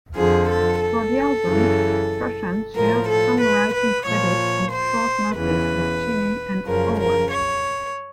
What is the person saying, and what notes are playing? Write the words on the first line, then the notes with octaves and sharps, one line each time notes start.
For the album, Strachan shared songwriting credits on "Short Notice" with Cheney and Owen.
F2 D3 F3 G#4
A4
A4
F#2 C#3 E3
A2 F3 A#4
A4
B4
B4
A#2 F3 C#5
C5
E2 C#3 E3 B4
F#2 C#3 F3 A#4
A#4
C#5